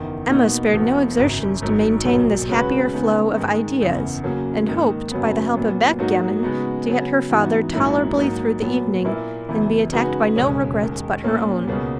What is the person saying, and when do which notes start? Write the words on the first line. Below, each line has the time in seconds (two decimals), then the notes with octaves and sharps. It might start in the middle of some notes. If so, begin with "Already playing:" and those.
Emma spared no exertions to maintain this happier flow of ideas, and hoped, by the help of backgammon, to get her father tolerably through the evening, and be attacked by no regrets but her own.
Already playing: F#1 E2 D#3
0.30 B2 A#3 D#4
0.73 E1 E2 B2
1.17 G#1 F#2 C#3
1.62 G#1 G#2 F#3
2.05 B1 A#2 F#3 A#3
2.49 C#3 G#3 C#4 F#4 B4
2.93 C#3 G#3 B3 D#4
3.36 G#2 D#3 G#3
3.81 F#1 E2 C#3
4.24 C#3 F#3 A#3
4.67 G#2 D#3 A#3
5.12 F#2 C#3 F#3 B3
5.54 A#2 F#3 B3
5.99 G#2 F#3 A#3 D#4 F#4
6.43 C#3 G#3 B3 D#4 F#4
6.87 C#3 F#3 B3
7.30 G#2 E3 B3 D#4 F#4
7.73 A#1 G#2 F#3 A#3 E4
8.17 G#2 F#3 A#3
8.61 A#2 F#3 B3
9.05 A#2 A#3 E4
9.49 F#1 F#2 E3 B3
9.92 C#3 G#3 D#4 F#4 B4
10.36 E1 D#2 C#3 G#3 C#4
10.81 D#2 D#3 G#3
11.24 A#2 A#3 C#4
11.67 C#2 B2 A#3 C#4 G#4